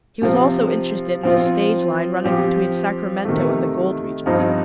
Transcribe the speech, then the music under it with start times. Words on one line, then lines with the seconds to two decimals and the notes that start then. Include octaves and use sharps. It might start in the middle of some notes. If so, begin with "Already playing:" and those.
He was also interested in a stage line running between Sacramento and the gold regions.
0.22 C3 F3 C4
1.23 F3 C4 F4
2.24 F3 C4 G4
3.25 C3 D#3 A3
4.26 G2 F3 C4 D#4